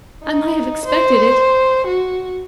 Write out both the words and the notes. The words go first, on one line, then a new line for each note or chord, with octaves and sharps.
I might have expected it.
D#4
C5
F#4